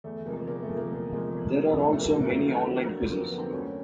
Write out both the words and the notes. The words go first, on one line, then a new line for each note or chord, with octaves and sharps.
There are also many online quizzes.
E2 A3
C3 F3 G#3 A#3
E2 A#3
A3
C3 F3 G#3
A#3
E2
C3 F3 G#3
E2
C3 F3 G#3
F2 A3
D3 F#3 A#3
F2 A3
A#3
D3 F#3 A3
F2
D3 F#3
F2 A#3
B3
D3 F#3
C4
D2 C#4